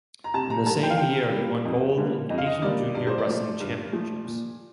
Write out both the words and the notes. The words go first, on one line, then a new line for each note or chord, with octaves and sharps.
In the same year he won gold in Asian Junior Wrestling Championships.
A#5
C3 A5
A#5
G3 A#3 A5
G5
F5
C3 G5
G3 A#3
F2
D3 G3 A#3
F2 D#5
F5
D#5
D3 G3 A#3 D5
G2 D5
C5
D5
F3 A3
G2
F3 A3
A#2